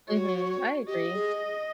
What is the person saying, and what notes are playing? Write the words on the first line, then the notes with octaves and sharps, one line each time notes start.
Mhm. I agree.
F#4 C#5
G4 D#5
G#4